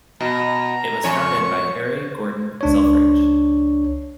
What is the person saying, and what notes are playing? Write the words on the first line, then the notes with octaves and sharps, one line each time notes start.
It was founded by Harry Gordon Selfridge.
B2 A#5
F2 C#5 C#6
C#2 D4 C#5